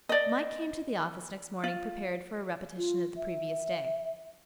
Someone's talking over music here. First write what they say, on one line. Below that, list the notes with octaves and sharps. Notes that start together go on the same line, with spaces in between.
Mike came to the office next morning prepared for a repetition of the previous day.
D5 D#5
F4
F4
E5